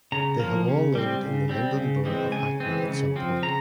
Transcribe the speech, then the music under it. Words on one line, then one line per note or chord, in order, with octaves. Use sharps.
They have all lived in the London Borough of Hackney at some point.
C#3 A#5
F3 A#3
C#3
G3 C4
C#3
G3 C4
C#3
E3 G#3 C4
C#3 G#5
E3 G#3 C4
C#3
F3 C4
C#3 A#5